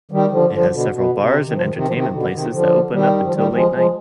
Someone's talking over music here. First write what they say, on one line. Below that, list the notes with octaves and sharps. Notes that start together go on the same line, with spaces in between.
It has several bars and entertainment places that open up until late night.
D#3 G3
D3 F3
D3 F3
B2 D3
B2
D3
C3
D#3
F3
C3 D#3
C3 D#3
F3
C3 D#3
B2 D3
C3 D#3
D3 F3
D#3 G3
F3
D#3 G3
F3 G#3
F3 G#3